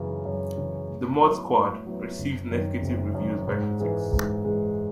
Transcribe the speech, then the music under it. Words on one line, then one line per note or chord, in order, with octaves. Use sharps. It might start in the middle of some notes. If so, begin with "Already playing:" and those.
"The Mod Squad" received negative reviews by critics.
Already playing: F#2 C#3 E3
F#2
C#3 E3
A2
F#3 B3 E4
A2
F#3 B3 E4
F#1
F#2 D#3
F#1
F#2
D#3
G#2
E3 G#3
G#2
E3 G#3